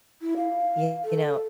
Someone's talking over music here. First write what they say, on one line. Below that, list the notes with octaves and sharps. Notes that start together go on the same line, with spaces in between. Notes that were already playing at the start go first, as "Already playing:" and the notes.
you know
E4
F5
A4